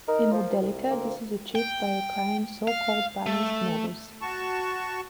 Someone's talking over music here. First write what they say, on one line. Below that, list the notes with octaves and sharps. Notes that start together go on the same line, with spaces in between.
In Modelica, this is achieved by requiring so called balanced models.
D#4 A#4
F3
C2
D2 A#3 C4
G5
F5
A3
F#4 A5 C#6